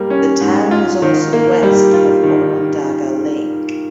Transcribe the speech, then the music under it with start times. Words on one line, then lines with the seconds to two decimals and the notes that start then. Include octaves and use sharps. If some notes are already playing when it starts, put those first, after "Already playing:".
The town is also west of Onondaga Lake.
Already playing: G3 A#3
0.10 C#4
0.41 G#2
0.71 F4
1.02 D#3
1.33 A#3
1.63 G3
1.93 F4
2.23 D#3